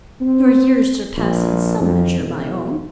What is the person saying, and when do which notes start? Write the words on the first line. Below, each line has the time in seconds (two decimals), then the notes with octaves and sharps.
Your years surpass in some measure my own.
0.21 C4
1.17 A#1
1.81 F2
2.20 E1